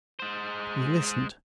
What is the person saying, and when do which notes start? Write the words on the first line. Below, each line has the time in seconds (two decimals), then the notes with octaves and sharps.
We listened.
0.19 G#3 C5